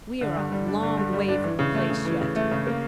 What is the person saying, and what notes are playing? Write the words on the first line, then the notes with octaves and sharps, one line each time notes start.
"We are a long way from the place yet."
D3
G2
G3
D4
D3
G2
G3
D4
E3
C#3
A3
C#3
E3
C#3
A3
C#3
A#3